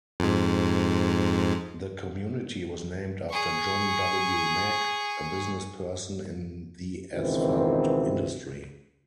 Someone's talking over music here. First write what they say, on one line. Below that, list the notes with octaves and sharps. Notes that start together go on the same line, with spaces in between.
The community was named after John W. Mack, a businessperson in the asphalt industry.
F2 G#2
G#4 C#6
C#2 B2 D#3 E3 C4